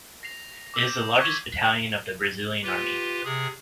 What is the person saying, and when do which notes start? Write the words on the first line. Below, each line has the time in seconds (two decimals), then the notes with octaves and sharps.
It is the largest Battalion of the Brazilian Army.
0.23 A#6 C7 F7
0.74 D6 E6 G6
1.20 C#6 G#6 B6 D#7 G7
2.64 F4 G4 B4
3.25 C3 G#4